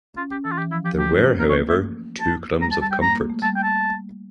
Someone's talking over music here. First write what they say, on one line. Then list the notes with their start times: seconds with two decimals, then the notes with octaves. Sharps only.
There were however two crumbs of comfort.
0.17 C#4 F4
0.31 C#4 G4
0.45 E3 A4
0.52 F4
0.58 E3 G4
0.71 F3 E4
0.85 F3 G4
0.98 A3 G4
1.12 C#4
1.22 A3
1.26 A#3
1.39 A#3 A#4
1.50 C#5
1.53 A#3
1.67 A3 E5
2.21 A5
2.61 G3 A#5
2.72 A5
2.82 G3 A5
2.92 G5
3.01 A#3 A#5
3.16 A#3
3.30 A3
3.42 G3 A5
3.56 G5
3.63 A5